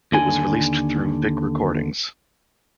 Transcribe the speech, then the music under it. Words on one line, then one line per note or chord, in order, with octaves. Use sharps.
It was released through Vik Recordings.
D#2 D3 G#5